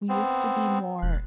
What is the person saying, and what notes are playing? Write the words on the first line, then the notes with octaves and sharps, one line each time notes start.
We used to be more
B3 C4
E1 F#6